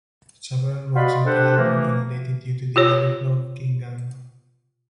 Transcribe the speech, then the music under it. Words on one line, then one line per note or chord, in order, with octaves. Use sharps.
Several roads in Galle were inundated due to the overflow of Gin Ganga.
F#4 D5 D#5 F5 B5 C6
C4 D4 G4 A4 B4 C5
F2 E3 F3 A3 A#3
F4 G4 C#5